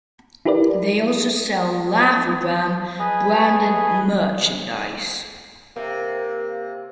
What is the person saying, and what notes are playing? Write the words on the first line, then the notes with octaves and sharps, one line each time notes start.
They also sell Laugh-O-Gram branded merchandise.
D#4 E4 G4 A#4 B4 D5
G#4 B4 D#5 G#5
C3 A#3